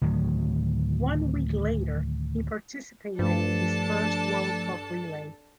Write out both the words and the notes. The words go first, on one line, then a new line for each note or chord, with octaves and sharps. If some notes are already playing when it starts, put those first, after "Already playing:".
One week later he participated in his first world cup relay.
D2 A2 D#3 F#3
G2 F3 A3 D4 A4 A5